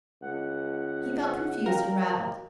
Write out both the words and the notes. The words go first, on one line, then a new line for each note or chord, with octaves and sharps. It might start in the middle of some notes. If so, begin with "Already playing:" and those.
He felt confused and rattled.
C#2 F#5
F#4 A#4 F5 G5